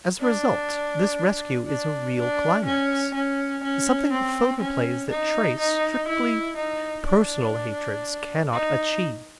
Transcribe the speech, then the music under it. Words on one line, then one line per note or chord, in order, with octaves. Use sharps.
As a result this rescue is a real climax, something the photoplays that trace strictly personal hatreds cannot achieve.
D4
D4
D4
C#4
C#4
C#4
C4
C#4
D#4
D#4
E4
D#4
D4
D#4